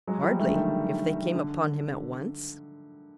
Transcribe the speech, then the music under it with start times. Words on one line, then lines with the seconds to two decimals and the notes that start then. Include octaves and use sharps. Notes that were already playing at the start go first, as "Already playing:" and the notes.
Hardly, if they came upon him at once.
0.07 F#3 G#3
0.23 F3 G3
0.39 G3 A3
0.48 D3
0.56 D#3
1.35 D3